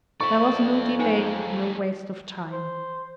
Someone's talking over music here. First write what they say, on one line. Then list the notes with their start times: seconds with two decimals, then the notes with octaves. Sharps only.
There was no delay, no waste of time.
0.21 F2 D5 E5 C#6
0.99 A2 F#3 D#4 G#5
2.52 C5